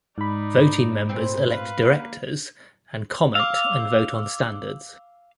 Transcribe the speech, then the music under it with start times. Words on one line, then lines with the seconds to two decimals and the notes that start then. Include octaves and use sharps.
Voting members elect Directors and comment and vote on standards.
0.18 G#2 D#4 D5 B5
1.09 A#2 A3 C4
1.50 B4 F5
1.82 A#3
3.35 F5 D6 E6